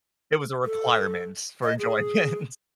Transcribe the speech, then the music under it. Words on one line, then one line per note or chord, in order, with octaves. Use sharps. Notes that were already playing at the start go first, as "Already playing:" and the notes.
It was a requirement for enjoyment.
A4
D#5
G#4